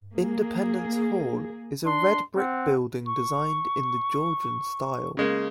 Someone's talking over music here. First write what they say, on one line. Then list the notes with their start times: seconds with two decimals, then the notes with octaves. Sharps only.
Independence Hall is a red brick building designed in the Georgian style.
0.16 A#3 G#4
1.86 D4 C6
2.36 C4 F#5
3.06 C#6
5.17 C#3 G#3 A#3